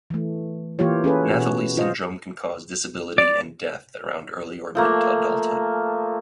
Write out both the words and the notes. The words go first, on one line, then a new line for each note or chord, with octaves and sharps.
Nathalie syndrome can cause disability and death around early or mid adulthood.
E3 A3
E3 A#3 F4 G4 C#5
C#4 G#4 A4 B4
B2 F#4
F4 C5 D#5
D5
F3 A3 A#3